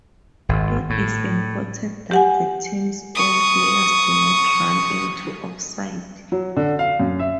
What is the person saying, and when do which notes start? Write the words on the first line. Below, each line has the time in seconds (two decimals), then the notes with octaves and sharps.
It is important that the teams own players do not run into offside.
0.49 G#1
0.90 A2
2.11 G4 F#5 G#5
3.15 C#6 D#6
6.32 F#3
6.56 D3
6.79 F5
7.00 F#2
7.19 E5